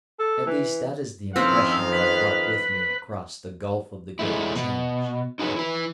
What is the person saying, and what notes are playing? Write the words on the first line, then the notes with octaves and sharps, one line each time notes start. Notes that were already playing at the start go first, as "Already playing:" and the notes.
At least that is the impression I have brought with me across the gulf of the great Change.
A4
E3
F2 D#3 C4 C#4 E4 F5
B4
E3 G#3 A3 E4
B2
D#4 F#4 G#4 A#4 B4 C#5
E4 B4